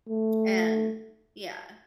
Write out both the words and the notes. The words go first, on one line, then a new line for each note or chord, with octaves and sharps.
and yeah,
A3